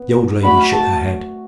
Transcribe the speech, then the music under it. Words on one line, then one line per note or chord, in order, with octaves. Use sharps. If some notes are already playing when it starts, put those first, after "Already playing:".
The old lady shook her head.
Already playing: B3
A3 F#4 D5 B5
A5